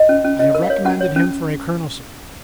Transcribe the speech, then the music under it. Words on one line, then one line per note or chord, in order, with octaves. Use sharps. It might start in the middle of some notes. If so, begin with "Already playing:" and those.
I have recommended him for a colonelcy.
Already playing: D#5
C#4
C#4
C#4 D#5
A#4
F5
C#5
C#4 F#5
C#5
C#4